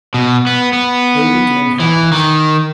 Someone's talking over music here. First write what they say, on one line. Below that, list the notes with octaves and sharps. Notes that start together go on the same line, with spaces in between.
They begin haphazard.
B2
B3
B3
E3
D#3